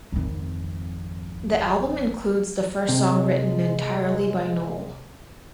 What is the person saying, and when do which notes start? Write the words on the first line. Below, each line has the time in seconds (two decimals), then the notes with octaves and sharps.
The album includes the first song written entirely by Noll.
0.12 G#1 F2
2.89 C3 G#3